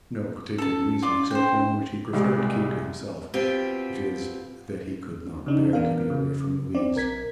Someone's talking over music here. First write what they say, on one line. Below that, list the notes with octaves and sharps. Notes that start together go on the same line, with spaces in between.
No particular reason except one which he preferred to keep to himself--viz. that he could not bear to be away from Louise.
C#4 A4 A5
F4 D5
C5 G5
C2 G3 G#3
B2 C4 F4 G4
C#3 D4 D#4
A#2 E3 B3 D4 A#4 F5
C#3
C4 D4 D5
B1 A#4 G#6 B6